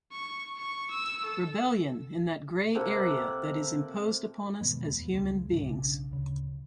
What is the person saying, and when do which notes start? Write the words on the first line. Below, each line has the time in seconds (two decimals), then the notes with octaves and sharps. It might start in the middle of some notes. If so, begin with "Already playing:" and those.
Rebellion in that grey area that is imposed upon us as human beings.
0.12 C#6
0.57 C#6
0.90 E6
1.25 A4
2.75 C3 A#3 A4 F#5
4.61 B2 D#3 G#3 B3
4.84 E2 A#3 B3
5.14 C#2 F#3 G#3
5.50 C#2 G#2 C#3 D4
5.65 B1 C#3 D4
6.11 D1 C#3